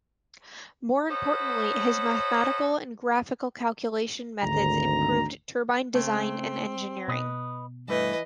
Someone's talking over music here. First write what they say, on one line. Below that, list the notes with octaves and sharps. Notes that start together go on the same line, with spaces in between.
More importantly, his mathematical and graphical calculation methods improved turbine design and engineering.
A4 C5 C#5 D#5 F#5 B5
G#1 D2 A#5
C#3 A3 C4
B2 B4 D#5
G2 E3 A3 B4 D#5